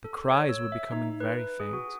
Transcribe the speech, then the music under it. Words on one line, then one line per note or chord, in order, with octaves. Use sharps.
The cries were becoming very faint.
A4
C#5
E6
E5
D#4
B4
G#4
F#4